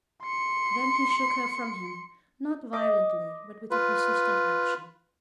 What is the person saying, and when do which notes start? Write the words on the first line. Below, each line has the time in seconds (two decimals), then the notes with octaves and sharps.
Then he shook her from him, not violently, but with a persistent action.
0.23 C6 C#7
2.73 D#5 D6
3.71 F4 B4